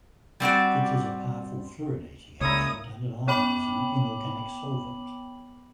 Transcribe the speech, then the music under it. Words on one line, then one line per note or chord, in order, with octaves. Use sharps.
It is a powerful fluorinating agent and an ionizing inorganic solvent.
G3 C4 F#4 D5
C#2 A#2 E4 C#5 A#5 D#6
B3 C#5 G5 B5 D6 F#7